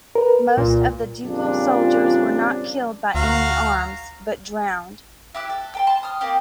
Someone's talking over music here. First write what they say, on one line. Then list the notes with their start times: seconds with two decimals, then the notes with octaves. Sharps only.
Most of the ducal soldiers were not killed by enemy arms, but drowned.
0.15 A#4 B4
0.57 C2 A#2
1.25 F2 A#2 C#3 F3 G3 D4
3.15 D2 F#4 F5 A#5
5.34 E4 G4 E6 F#6
5.49 A4
5.75 G5 A5 C6
5.87 A5 C6
6.03 D#6 F6
6.21 A#3 C4 G4